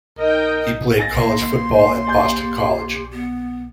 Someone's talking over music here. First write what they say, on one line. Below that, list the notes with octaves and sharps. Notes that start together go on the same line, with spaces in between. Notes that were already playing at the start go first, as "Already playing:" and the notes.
He played college football at Boston College.
D#4 A#4 D#5 G5
G#5 A6 A#6
A#3 C6
G4 D5 G#5 G6
B3